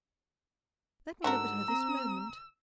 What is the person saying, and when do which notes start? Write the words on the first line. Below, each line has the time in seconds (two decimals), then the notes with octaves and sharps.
Let me look at her this moment.
1.24 G#2 D3 F#4 A#4 E6
1.68 C4 A#5